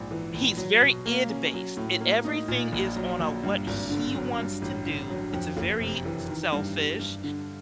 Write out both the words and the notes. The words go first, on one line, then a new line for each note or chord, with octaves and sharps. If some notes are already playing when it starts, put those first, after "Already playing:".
He's very id based. It everything is on a what he wants to do. It's a very selfish.
Already playing: A#1 G#2
E3
A#1
F#3
B2
A#3
C#4
F#3
A2
A#3
D#4
A#2
A#1
F#3
A#1
G2
G#1
D3
F#3
G2
A1
D3
F#3
F2
F#1
C3
E3
D#3
G2
G3
G2
D3